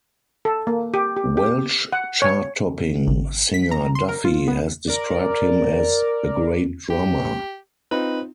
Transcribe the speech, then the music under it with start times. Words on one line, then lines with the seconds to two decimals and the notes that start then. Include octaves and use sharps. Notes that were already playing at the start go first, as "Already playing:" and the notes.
Welsh chart-topping singer Duffy has described him as 'a great drummer'.
0.45 A4
0.67 A#3
0.94 G4
1.16 G4
1.37 G4
1.93 F#5
2.22 C#5
3.07 G#1
3.54 B6
3.71 A#5
3.95 C6
4.09 A#4
4.25 F4
4.48 B3
4.88 A#4 D5
6.90 G4
7.91 C4 D#4 F4 B4